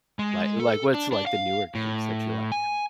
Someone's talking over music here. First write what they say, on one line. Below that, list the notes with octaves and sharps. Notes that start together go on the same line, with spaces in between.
like like, what's, like, the newer games that you like?
G#3
A4
D4
D4
F5
A2
G#5